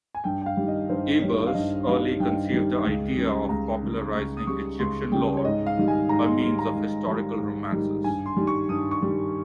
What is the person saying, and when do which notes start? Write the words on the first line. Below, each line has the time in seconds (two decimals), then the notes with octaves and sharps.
Ebers early conceived the idea of popularizing Egyptian lore by means of historical romances.
0.15 G#5
0.24 G2 G5
0.42 G5
0.46 F5
0.57 D#3 G3
0.68 D#5
0.89 G2 C5
1.22 D#3 G3 C#5
1.47 F5
1.54 G2 D#5
1.87 D#3 G3 F5
2.20 G2 G5
2.51 D#3 G3
2.85 C#2
3.17 C#3 G3
3.49 C#2 A#5
3.83 C#3 G3
4.14 C#2 C#6
4.37 D#6
4.47 C#3 G3 C#6
4.79 C#2 C6
5.12 C#3 G3 G5
5.37 C#5
5.45 G#2 D#5
5.66 F5
5.77 D#3 G3
5.88 G#5
6.09 G#2 A#5
6.25 C6
6.42 D#3 G3 C6
6.59 A#5
6.75 G#2
7.07 D#3 G3
7.40 G#2
7.72 D#3 G3
8.04 G2 G#5
8.26 C6
8.37 D#3 G3
8.47 C#6
8.69 G2 D#6
8.91 C#6
9.02 D#3 G3